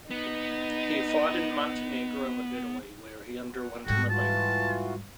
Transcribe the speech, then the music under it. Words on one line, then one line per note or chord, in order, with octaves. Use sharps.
He fought in Montenegro and Italy where he underwent malaria.
B3 D#4
F#5
G#2 G3 F#4 A4 G5
E3 F4 F#4 A5